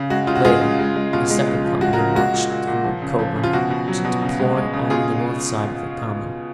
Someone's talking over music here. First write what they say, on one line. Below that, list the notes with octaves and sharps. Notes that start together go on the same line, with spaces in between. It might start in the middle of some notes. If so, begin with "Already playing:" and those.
Later a second company marched through Chobham to deploy on the north side of the common.
Already playing: C#3
G#3 F#4
C#3 F4
F#4
G#3 F4 G#4
C#3
G#3
G#3
B2 F4
G#3
C#3
F3
G#3 F#4
F#4 A#4
C#3
G#3 F#4
A#2
A#2
A#2
F3
C#3
F3
C#3
F4
B2 F#4
B2
F#3
B2
C#3
G#3
G#3
C#3
B2 F4 G#4